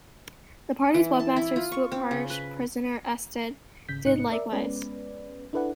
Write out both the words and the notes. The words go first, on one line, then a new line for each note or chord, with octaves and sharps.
The party's webmaster, Stuart "Parish Poisoner" Estell did likewise.
E3
A5
E4
F4
C#6
C4
C#3
B4
G#1 C#3 G6 B6
A1 G#2 C3 D#4 F#6 C#7
A#4 D5 E5
G#3 B3 C#4 B4 D5
D4 E4 A4 B4 D5 F#5